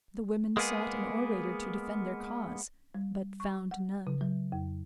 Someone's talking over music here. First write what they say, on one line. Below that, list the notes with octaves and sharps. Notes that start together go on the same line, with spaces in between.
The women sought an orator to defend their cause, but found none.
G#3 A#3 B3 G#4
G3
C#6
F#5
C#3
F#3
F2